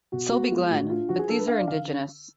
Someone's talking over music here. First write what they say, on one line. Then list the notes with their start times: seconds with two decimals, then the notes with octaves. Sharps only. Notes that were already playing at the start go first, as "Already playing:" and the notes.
Sulby Glen, but these are indigenous.
0.12 B2 F#4
0.31 B3 F#4
0.52 G#3 F4
0.71 A2 F#4
0.90 D4 F4
1.09 F3 F#4
1.19 G#4
1.29 D4 A4
1.39 B4
1.48 D4 F5
1.59 D5
1.68 D3 F5